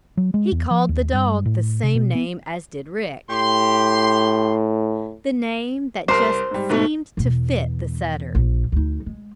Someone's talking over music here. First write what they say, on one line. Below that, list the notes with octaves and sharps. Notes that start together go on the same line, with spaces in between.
He called the dog the same name as did Rick--the name that just seemed to fit the setter.
F#3
G#3
E2
F3
D#2
G2
A2
C3
B2
B3
A2 G4 C6
C2 A#4 C5
G#2 G3
G#2 B2 A3
E2 B2
A#1
D2 D#4
G#3